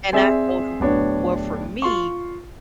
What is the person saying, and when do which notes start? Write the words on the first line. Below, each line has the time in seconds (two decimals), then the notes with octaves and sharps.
And I told him, "Well, for me,
0.13 C4 G#4 D5 E5
0.80 D1 B3 D4 C#5
1.82 F4 C6 C#6